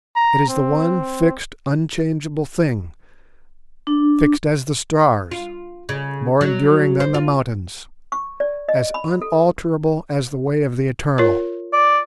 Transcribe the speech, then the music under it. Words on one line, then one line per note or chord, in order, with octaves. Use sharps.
It is the one fixed unchangeable thing--fixed as the stars, more enduring than the mountains, as unalterable as the way of the Eternal.
A#5
C4
D4
F4
C#3
F#3
C5
F4
C#6
D5
D#5
B5
A4
F4 A#4 C#5
D5